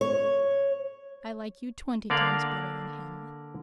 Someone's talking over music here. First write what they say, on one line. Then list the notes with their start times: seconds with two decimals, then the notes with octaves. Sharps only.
I like you twenty times better than Hamlet.'
0.01 C#5
2.10 D3 A#3 D5 F5